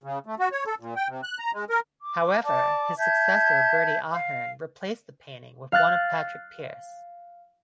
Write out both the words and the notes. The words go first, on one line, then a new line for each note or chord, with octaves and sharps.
However, his successor Bertie Ahern replaced the painting with one of Patrick Pearse.
C#3
A3
F#4
C#5
A4
A#2
G5
C3
F#6
A#5
G#3
A#4
D6
D5 A5 D6
E5 A5 G6 G#6
F5
F5 F6 F#6 A6